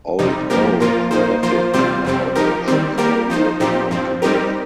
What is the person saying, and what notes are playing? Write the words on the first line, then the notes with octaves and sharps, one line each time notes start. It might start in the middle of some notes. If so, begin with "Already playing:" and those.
Although prolific in her output she is very little known today.
F2 C3 G3 D#4
F2 F3 A#3 G4 A#4
A#2 F3 A#3 F4 A#4
A#2 A#3 D#4 C5
F3 A#3 F4 C5
C3 G3 C4 F4 C5
F2 C3 G3 C4
F3 D#4 G4 A#4
D#3 G3 C4
G3 A#3 G4 A#4
F3 D#4 C5
A#2 F3 C4 D#4 G4
G2 F3 C4
G3 C4 D#4 G4 A#4